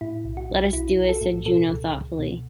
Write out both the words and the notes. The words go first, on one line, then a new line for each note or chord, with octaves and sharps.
"Let us do it," said Juno thoughtfully.
A2 E4
B1
F#4
B1
B1 E4
B1
F#4
A4
A2
B2 A4
C#2
C#2
B2